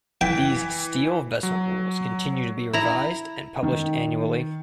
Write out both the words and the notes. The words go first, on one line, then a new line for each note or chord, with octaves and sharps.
These Steel Vessel Rules continue to be revised and published annually.
E3 G5 B6
F#3
E4 A#5
D#3